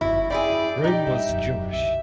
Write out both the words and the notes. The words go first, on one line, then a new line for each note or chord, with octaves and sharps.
Rome was Jewish.
G1 F2 E4 F#4
F2 C4 E4 G#4 D5
A#2 D#4 G4
G#2 G3 E5
E1 F#2
C2 D3 E5